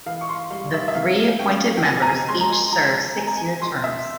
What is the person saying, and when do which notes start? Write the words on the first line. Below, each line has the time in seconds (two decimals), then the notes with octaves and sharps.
The three appointed members each serve six-year terms.
0.06 E3 F5
0.21 C#6
0.29 C6
0.51 G3 F5
0.74 E5
0.88 E5
0.95 C3 F5
1.39 C#4 G5
1.77 G5
1.83 F3 G#5
2.02 A#5
2.07 G#5
2.28 G#3 C6
2.41 A#5
2.51 C6
2.72 F3 A#5
3.16 C4 G#5
3.27 A#5
3.37 G#5
3.62 F3 C6
3.84 E5